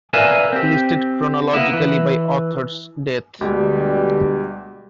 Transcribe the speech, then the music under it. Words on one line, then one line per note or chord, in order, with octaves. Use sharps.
Listed chronologically, by author's death.
A#4 B4 D5 E5 F5 G#5
C4 G4
A#3 B3 E4
E3
D2 B2 D3 G3 G#3 G4